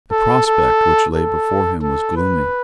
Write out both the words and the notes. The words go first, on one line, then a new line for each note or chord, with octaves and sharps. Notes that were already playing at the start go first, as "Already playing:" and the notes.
The prospect which lay before him was gloomy.
A4
A4
A4
A4
B4